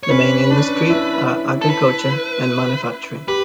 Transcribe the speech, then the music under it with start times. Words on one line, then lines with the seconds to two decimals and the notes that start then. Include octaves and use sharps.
The main industry are agriculture and manufacturing.
0.03 C#5
0.11 C#4 B4
0.50 D4
0.90 E4
1.62 A4
1.70 B4
3.28 G4 B4